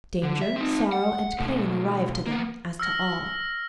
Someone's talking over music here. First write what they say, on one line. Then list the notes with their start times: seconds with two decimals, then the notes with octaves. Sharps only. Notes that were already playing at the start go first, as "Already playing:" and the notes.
Danger, sorrow, and pain arrive to them, as to all.
0.23 D3
0.42 E5
0.56 C4 D#4
0.92 F#5
1.39 B2 A3
2.27 A#3 B3
2.80 E6 F6 A#6